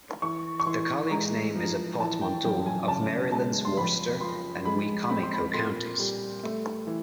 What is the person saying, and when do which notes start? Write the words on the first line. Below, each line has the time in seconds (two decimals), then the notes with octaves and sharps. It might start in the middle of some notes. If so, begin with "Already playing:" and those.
The college's name is a portmanteau of Maryland's Worcester and Wicomico counties.
0.22 E3 C#6
0.60 C#6
0.66 E3 C6
1.10 G#3 A#5
1.56 F3
2.00 E3 A5
2.21 G5
2.44 F#2 G5
2.66 G#5
2.88 C#3 A5
3.32 G#3 A5
3.65 C6
3.77 F2 B5
4.21 F3 C6
4.65 G#3 B5
5.10 C4 B5
5.23 C6
5.34 B5
5.54 A#2 C6
5.99 G3
6.43 A3
6.87 E3